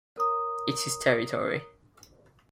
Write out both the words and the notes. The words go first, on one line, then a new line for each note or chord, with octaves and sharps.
It's his territory.
A#4 C#5 A#5 D#6